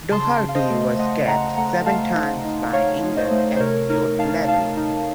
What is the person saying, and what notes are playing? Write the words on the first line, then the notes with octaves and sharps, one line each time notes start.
Doherty was capped seven times by England at youth level.
C#3 A5 C6
C#3
F5
C5 D#5
A3
A3 D#5 F#5
C#3 F#5 A#5
A3 F#5 A#5
A3 F5 A5
D#4
D#4
A3 C#5 F5
D#4
C5 D#5
A3
C5
C3 A#4 C#5
D#4 A#4
D#4 F5 A5
D#4 F5 A5
D#4